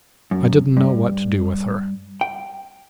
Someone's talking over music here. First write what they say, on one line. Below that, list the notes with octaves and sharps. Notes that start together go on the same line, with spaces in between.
I didn't know what to do with her.
F#2
G2
G5